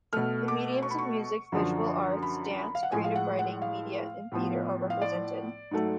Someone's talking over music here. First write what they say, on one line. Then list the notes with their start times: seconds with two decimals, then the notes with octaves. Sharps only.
The mediums of music, visual arts, dance, creative writing, media and theater are represented.
0.13 B2 A3 F6
0.48 D6
0.82 C#6
0.91 B5
0.98 C#6
1.52 F#2 D3 F3
2.22 B5
2.75 F5
2.83 F#5
2.92 A2 F3 G#3 G#5
3.04 F5
3.16 F#5
3.39 F#5
3.62 F5
4.32 A2 F3 B3
4.90 F5
5.02 D5
5.71 G#2 F#3 A3